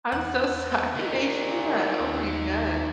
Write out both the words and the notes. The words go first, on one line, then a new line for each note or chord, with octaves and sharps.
I'm so sorry to hear that, oh my god.
E2 F#5
A#2 A#3 D#4 G4
D#2